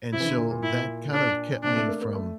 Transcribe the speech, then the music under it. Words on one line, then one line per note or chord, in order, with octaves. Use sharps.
and so that kind of kept me from
C3 E4
E3
D3
A#2
A#2
E4
D4
C3 D4
A3
A#3
A#3
A3